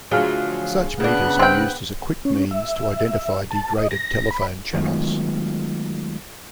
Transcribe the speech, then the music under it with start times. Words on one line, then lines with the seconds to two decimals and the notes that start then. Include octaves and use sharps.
Such meters are used as a quick means to identify degraded telephone channels.
0.11 D2 F3 F#3 G#4 F5 F6
1.00 C#3 B3 D4 F#6
1.39 C4 G5
2.25 C#4
2.51 E5
3.51 A5
3.78 D#5
3.91 A#6
4.31 B5
4.73 D#3 F#3 G#3 A3 B3 F4